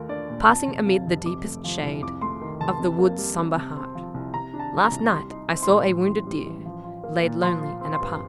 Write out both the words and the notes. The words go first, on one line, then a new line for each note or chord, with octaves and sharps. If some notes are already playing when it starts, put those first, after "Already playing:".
Passing amid the deepest shade Of the wood's sombre heart, Last night I saw a wounded deer Laid lonely and apart.
Already playing: D#2 A3 F4 A#4
D4 D5
A#2
F2 A5
F1
C3 F5
F1
C3 D6
A3
F3
C2
F2 D6
A3 C6
D#3
F1 A5
C3
A#3
G3
F2
C3
C4
F3
C2
C3 A#5
D4
A5
G3
A#5
C2
G3 C6
D#4
C4
C6
A2
A2
A1
G3
A1
F3
F4
A#3
A#2
F3 C6
F4
C4
C6
G2